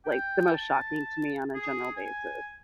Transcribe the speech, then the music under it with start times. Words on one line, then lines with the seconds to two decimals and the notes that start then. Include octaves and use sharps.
like, the most shocking to me on a general basis.
0.05 G5
0.53 A5
1.55 G#4
1.96 G#5